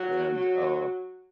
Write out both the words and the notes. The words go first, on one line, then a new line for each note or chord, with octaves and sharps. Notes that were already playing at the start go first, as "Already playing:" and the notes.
and, uh,
Already playing: F#3
F#3